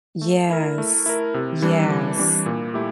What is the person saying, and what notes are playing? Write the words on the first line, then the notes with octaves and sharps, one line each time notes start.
Yes. Yes.
A3
E4 A#4
A3
E4 A#4
C3
E3 G3 D4
C3
E3 G3 D4
A#2
A3 E4 G4